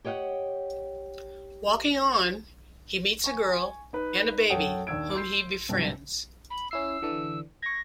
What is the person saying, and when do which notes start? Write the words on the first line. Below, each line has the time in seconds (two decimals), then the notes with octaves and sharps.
Walking on, he meets a girl and a baby, whom he befriends.
0.05 G4 C#5 D#5 F5 F#5
3.24 G#5 C#6
3.93 D#4 B4
4.50 F#2 A4 C#5 F#5 G5 D#6
4.87 D#2 D4 E6 G#6 D7
5.14 C6 G6 C7
5.69 B1 G2 C3
6.50 B5
6.71 C#4 E4 E6 C7
7.02 D3 E3 D4
7.63 C#6 G#6 A#6